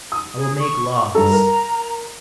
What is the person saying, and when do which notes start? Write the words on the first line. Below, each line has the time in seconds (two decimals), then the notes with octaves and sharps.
I will make laws.
0.12 D#6
0.37 G#4
0.59 C#6
1.15 G2 A4 A#5
1.33 A#4